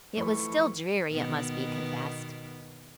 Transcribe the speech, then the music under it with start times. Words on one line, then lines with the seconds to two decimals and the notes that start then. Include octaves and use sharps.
It was still dreary, it must be confessed.
0.17 F2 E3 A3 A4 B5 C#6
1.11 B2 D#3 B3